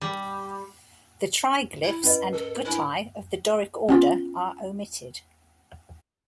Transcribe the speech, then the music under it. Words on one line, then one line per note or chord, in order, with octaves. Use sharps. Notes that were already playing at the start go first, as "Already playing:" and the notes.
The triglyphs and guttae of the Doric order are omitted.
G3
E4
C#4 B4 D#5
A4 A#4
D4 E4 C5
B3 C#4 F4